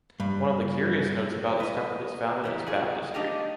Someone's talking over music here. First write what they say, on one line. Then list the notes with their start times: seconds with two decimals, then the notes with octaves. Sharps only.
One of the curious notes about this temple is found in its baptistery.
0.20 G2
1.60 B4 D#5
2.44 D#3 E3 G3
2.67 F#3 F4 F#4 G#4
3.14 A3 D4 D#4 G4 D#5 F5